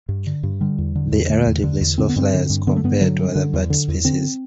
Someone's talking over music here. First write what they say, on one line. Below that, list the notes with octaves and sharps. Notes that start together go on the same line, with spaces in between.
They are relatively slow flyers compared to other bat species.
G2
D3
G2
D3 G3
E2
D3
E2
D3 A3
E2
D3
E2
D3 C4
B3
G2 C4
D3
G2
D3 B3
A3
G2 B3
D3 F#3
G2
D3
E2
D3
E2
D3 C4